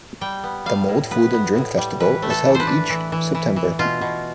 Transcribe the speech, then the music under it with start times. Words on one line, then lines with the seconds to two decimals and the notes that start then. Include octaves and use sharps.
The Mold Food and Drink Festival is held each September.
0.21 G3 G5
0.44 B3
0.66 G3 F5
0.88 A2
1.11 B3 B4
1.33 B3
1.55 A2
1.78 G3
2.00 E3 B4
2.22 A3
2.30 A4
2.45 E3
2.55 C5
2.60 B4
2.67 D4
2.90 E3
3.12 E3
3.35 E3
3.56 E3
3.79 B2 F4
4.01 B2